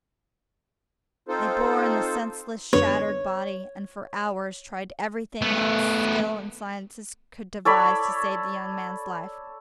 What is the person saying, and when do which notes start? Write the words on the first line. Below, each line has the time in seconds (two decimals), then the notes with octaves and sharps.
They bore in the senseless, shattered body, and for hours tried everything that skill and sciences could devise to save the young man's life.
1.28 C4 D#4 F4 A4 C5
2.73 F#2 D3 B3 C#5
5.42 A3 B3
7.65 A4 C#5 D5 B5